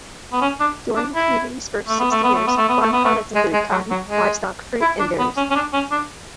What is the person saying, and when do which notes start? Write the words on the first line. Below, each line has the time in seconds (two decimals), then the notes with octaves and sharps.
During the community's first sixty years, farm products included cotton, livestock, fruit, and berries.
0.33 B3
0.41 C#4
0.60 D4
0.96 D4
1.15 E4
1.88 A3
2.00 B3
2.11 A3
2.24 B3
2.35 A3
2.47 B3
2.57 A3
2.69 B3
2.82 A3
2.93 B3
3.05 A3
3.35 G#3
3.53 G#3
3.71 F#3
3.91 F#3
4.08 G#3
4.81 E4
5.00 D4
5.19 B3
5.37 C#4
5.50 C#4
5.55 D4
5.73 C#4
5.91 D4